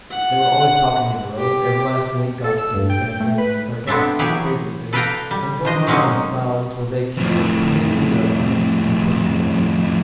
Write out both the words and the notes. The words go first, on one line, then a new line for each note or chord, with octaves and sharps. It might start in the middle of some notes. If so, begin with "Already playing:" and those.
They were always talking in the Row, everlastingly gossiping, bantering and sarcastically praising things, and going on in a style which was a curious commingling of earnest and persiflage.
F#5
G4
A4
E6
G2
G5
A3
B4
B3 C4 D4 A4 E5
E3 F#3 G4 G#4 C#5 G5
A4 B4 D5 F5 G5 A#5
G3
D#3 D4 C5 D#5
F#3 G#3 A#3 C4 C#4 D#4
F2 A2